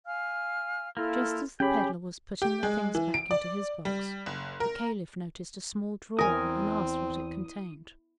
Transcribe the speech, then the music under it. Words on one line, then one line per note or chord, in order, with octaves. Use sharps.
Just as the peddler was putting the things back into his box, the Caliph noticed a small drawer and asked what it contained.
F5 G#5 F6
A#3 E4 F4 A4
C#4 G4 G#4 G5 B5
G4
G#3
E3
D7
D5
G3
F#1
A#4
E2 C4 A#4 G#5 D#6